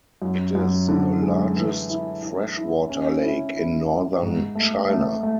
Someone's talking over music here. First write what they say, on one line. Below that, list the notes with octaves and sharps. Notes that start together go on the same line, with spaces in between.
It is the largest freshwater lake in northern China.
F#2
F#2
D3
G#3
E3
E4
E4
E4
C#4
E4
E4
E4
G#2
A3
A3
A3